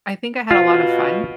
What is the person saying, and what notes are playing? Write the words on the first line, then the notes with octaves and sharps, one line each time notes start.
I think I had a lot of fun
B2 F4